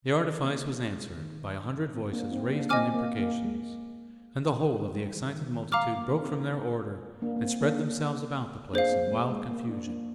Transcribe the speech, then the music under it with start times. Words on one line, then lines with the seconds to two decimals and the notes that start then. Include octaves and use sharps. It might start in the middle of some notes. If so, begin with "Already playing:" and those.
The artifice was answered by a hundred voices raised in imprecations; and the whole of the excited multitude broke from their order, and spread themselves about the place in wild confusion.
0.42 A#3 D4
0.69 C4
0.93 G#3
1.18 D#3
1.94 C4
2.13 A#3 D4
2.32 C4 D#4
2.50 A#3 D4
2.69 C4 D#5 G#5 D6 F6
2.94 A#3
3.19 A#3
3.45 G#3
4.96 G3
5.15 D#3
5.34 D#3
5.53 D#3
5.71 G#3 F5 A#5 D6 F6
5.97 A#3
6.21 C4 D#4
7.22 A#3 D4
7.36 A#3
7.41 C4
7.61 A#3 D4
7.79 A#3 D4
8.73 A#3 D4 G#4 C5 F5
8.92 C4
9.07 G#3
9.12 A#3
9.31 G#3
9.49 A#3
9.68 A#3 D4
9.87 A#3 D4